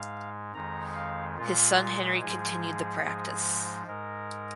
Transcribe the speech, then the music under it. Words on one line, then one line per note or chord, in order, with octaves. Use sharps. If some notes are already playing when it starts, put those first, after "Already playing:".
His son Henry continued the practice.
Already playing: G#2 G#3 F5
F2 D#3 G#3 A#5
F5
A#2 G#3 F4
G#2 F3 G#3 G#4
G#2 F3 G#3
G#2 G#3 A#4